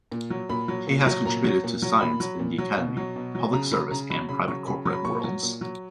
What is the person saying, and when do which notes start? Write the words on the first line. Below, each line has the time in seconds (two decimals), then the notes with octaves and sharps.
He has contributed to science in the academic, public service, and private corporate worlds.
0.12 A#2
0.30 F#3
0.49 A#2 B5
0.68 F#3
0.87 A#2
1.06 F#3
1.26 A#2 A#5
1.44 F#3
1.64 A#2
1.82 F#3
2.01 A#2 B5
2.20 F#3
2.39 A#2
2.58 F#3
2.77 B2
2.97 F#3
3.16 B2
3.35 F#3
3.53 C#3 A#5
3.71 F#3 B5
3.91 C#3 A#5
4.10 F#3 B5
4.29 C#3 B5
4.48 F#3 C#6
4.66 C#3 B5
4.85 F#3
4.93 B5
5.05 A#2 C#6
5.24 F#3
5.43 A#2
5.61 F#3